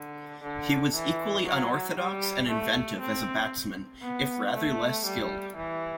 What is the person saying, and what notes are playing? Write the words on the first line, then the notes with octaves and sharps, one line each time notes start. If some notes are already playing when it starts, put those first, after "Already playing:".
He was equally unorthodox and inventive as a batsman, if rather less skilled.
Already playing: D3
D3
E3
F#3
G3
A3
C4
B3
A3
G3
E3